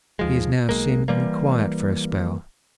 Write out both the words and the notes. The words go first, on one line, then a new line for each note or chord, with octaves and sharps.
He is now seemingly quiet for a spell....
D#2 F3 G#3
B1 F#2 G#3 A#3
E3 G3 A#3